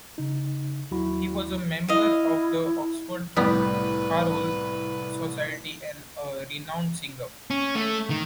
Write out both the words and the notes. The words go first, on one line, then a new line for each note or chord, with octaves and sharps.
He was a member of the Oxford Choral Society and a renowned singer.
C#3 D#4
D#2 F#3 E4 F#4 B5
E4 D#5 F5
C2 A2 G3 B3 B4
C#4
A3
D#3